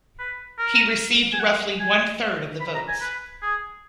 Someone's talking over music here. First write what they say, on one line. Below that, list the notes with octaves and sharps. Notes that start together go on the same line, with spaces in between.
He received roughly one-third of the votes.
B4
A#4
G#5
F#5
G#5
B5
A#5
G#5
B4
G#4